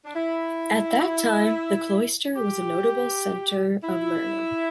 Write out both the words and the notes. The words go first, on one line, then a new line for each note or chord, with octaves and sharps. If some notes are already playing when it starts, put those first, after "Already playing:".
At that time, the cloister was a notable centre of learning.
D4
E4
G4
E4